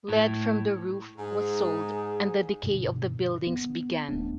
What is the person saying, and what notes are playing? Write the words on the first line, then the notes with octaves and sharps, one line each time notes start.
Lead from the roof was sold and the decay of the buildings began.
A2
G#2 G#4
G2 B2 D3
B3
D#1 A3 B3 D4